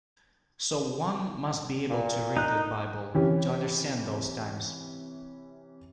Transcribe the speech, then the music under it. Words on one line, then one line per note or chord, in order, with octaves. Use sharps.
So one must be able to read the Bible to understand those times.
A#2
D#4 F#6
C3 E3 C#4 G4